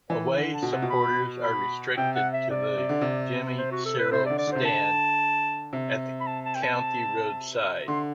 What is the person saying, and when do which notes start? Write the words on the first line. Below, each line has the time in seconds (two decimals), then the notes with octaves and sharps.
Away supporters are restricted to the Jimmy Sirrel stand, at the County Road side.
0.10 E3
0.37 D3
0.54 A5
0.62 B2
0.72 C3 F#5
0.82 B2
0.89 B5
1.43 B5
1.97 C3 G5
2.15 F#5
2.33 E5
2.50 C3 D5
2.77 C3
2.89 D3
3.01 C3
3.58 C5
3.72 F#4
3.85 A4
3.99 B4
4.11 C3 C5
4.25 D5
4.30 D3
4.38 D5
4.47 D3
4.52 C3 C5
4.62 D3 A5
5.73 C3
6.20 B5
6.27 A5
6.45 A5
6.55 G5
6.63 A5
7.88 D3 C6